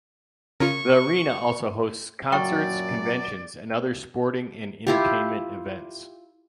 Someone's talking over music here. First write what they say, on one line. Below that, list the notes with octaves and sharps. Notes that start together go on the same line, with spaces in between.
The arena also hosts concerts, conventions and other sporting and entertainment events.
C#3 C#4 F4 A#4 C#6
F#2 A#2 F#3 D5 G5 C#6
E4 F4 G4